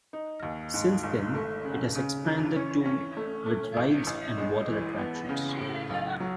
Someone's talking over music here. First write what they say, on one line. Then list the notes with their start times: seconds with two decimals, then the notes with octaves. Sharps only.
Since then, it has expanded to with rides and water attractions.
0.13 D#4
0.43 D#2
0.74 G#2
1.03 G#1
1.34 A3
1.65 C#3
1.95 C#3
2.25 E3
2.56 C#4
2.86 C#4
3.17 A3
3.46 A3
3.77 A1
4.07 A1
4.38 G#3
4.68 E3
4.98 B3
5.29 C#3
5.59 A2
5.89 B1
6.20 F#3